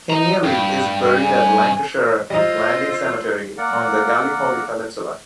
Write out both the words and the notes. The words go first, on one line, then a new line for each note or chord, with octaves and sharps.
Kenealy is buried at Lancashire Landing Cemetery on the Gallipoli Peninsula.
D#5 A#5
G2 G5
G#5
G3 D#4 F4 C5 D#5 E6
A#3 A#4 D5 F#5